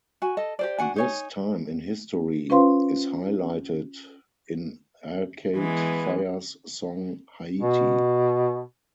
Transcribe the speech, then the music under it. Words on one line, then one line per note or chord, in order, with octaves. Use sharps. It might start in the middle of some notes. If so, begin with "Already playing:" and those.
This time in history is highlighted in Arcade Fire's song "Haiti".
F#4 G#5
A4 D#5
G4 C5 D5
D4 F#4 F#5 G#5
D#4 C#5 G#5
C#4 F4 B4 C5 F5 C6
E3 G#3 B3
B2